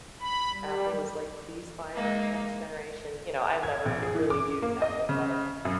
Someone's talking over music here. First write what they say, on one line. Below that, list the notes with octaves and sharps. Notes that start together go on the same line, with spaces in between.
Apple was, like, pleased by our next generation. You know, I've never really used Apple products.
B5
G3
G#3 A#3 D#4
G#6
A#1
G#4
E3
D6
A#3
D#5
C#3
F#2